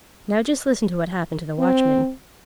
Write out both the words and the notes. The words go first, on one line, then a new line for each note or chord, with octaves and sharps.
Now just listen to what happened to the watchman.
C4